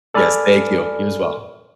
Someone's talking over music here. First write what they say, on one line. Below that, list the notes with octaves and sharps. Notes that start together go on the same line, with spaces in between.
Yes, thank you. You as well.
A4 D5 G#5 B5 F6